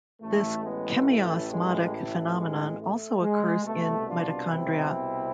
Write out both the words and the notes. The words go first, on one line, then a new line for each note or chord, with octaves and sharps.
This chemiosmotic phenomenon also occurs in mitochondria.
A1 A2 E3 A3
G#3 B3
A3
G#3
A3
G#3
A3
G#3
C2 B2 A3
D4 F4
C4 E4